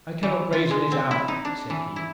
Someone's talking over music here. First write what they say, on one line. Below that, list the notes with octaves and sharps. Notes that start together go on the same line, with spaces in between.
'I cannot brazen it out,' said he.
E3
F4
G#3
C4
E4
D#4
D4
E3
E4